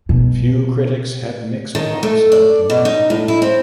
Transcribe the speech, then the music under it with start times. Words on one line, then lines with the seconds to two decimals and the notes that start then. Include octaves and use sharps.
Few critics had mixed thoughts about the movie.
0.09 B2
1.75 D#3
2.03 A3
2.32 D5
2.70 B2
2.85 D#4
3.10 A2
3.28 E4
3.42 C4